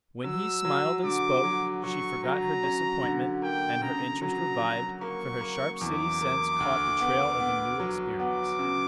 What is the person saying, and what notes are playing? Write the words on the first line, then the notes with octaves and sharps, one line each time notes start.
When he smiled and spoke she forgot her disappointment, and her interest revived, for her sharp city sense caught the trail of a new experience.
F#3 E6
F#3
D3 D6
F#3
F#3 C#6
F#3 A#5
C#4
D3
A#3 G5
C#3 A#5
F#3 A#5
F#3
A#3 C#6
A#3
E2 D6
A#3
D2
B3
B3
F#3
B3 D6
C#3